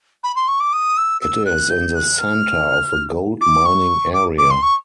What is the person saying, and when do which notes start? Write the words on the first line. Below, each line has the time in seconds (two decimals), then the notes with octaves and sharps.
It is in the centre of a gold mining area.
0.23 B5
0.35 C6
0.47 C#6
0.60 D6
0.73 D#6
0.97 E6
1.21 E6
1.45 F#6
1.70 G6
1.95 F#6
2.18 F6
3.41 D6
3.65 C#6
4.13 D6
4.38 D6
4.50 C6
4.62 C#6